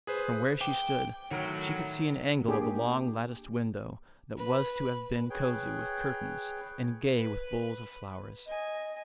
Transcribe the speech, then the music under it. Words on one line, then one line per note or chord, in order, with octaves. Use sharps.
From where she stood she could see an angle of the long latticed window that was to have been cosy with curtains and gay with bowls of flowers.
G#4 B4 C5
G5 D6
A2 D#3 F#3 A#4
A#3 D4 G4 G#4
B4
G#4 B4 C#5 G5
B4
D#5 G#5